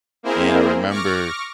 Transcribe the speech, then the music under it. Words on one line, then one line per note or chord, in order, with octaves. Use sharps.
and I remember,
A#3 C4 E4 G#4 A#4 C5
C#6 D6 F6 A#6